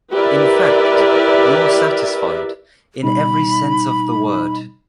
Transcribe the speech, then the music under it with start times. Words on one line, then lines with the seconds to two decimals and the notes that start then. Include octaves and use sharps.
In fact, you’re satisfied, in every sense of the word.
0.14 E4 G4 A#4 B4 D5 E5
3.03 B2 G3 D#4 B5